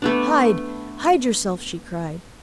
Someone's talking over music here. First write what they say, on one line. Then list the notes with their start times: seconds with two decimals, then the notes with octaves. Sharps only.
"Hide! hide yourself!" she cried.
0.02 A3 B3 D4